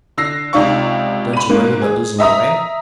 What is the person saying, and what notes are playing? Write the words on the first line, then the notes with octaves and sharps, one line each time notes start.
"Don't you worry about losing your way?"
D3 E6 A#6 C7
C#2 C3 D#4 D5 F5 C#6
B5 D#7
G#2 A#3
G#4
D#5 E5 A#5 D#6